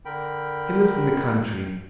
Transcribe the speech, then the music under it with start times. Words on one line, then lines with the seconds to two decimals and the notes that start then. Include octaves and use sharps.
He lives in the country.
0.05 D3 A#4 G5 B5